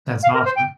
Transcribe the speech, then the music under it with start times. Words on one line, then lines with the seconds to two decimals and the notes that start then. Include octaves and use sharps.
That's awesome.
0.23 F5
0.34 A#4
0.45 C5
0.56 G5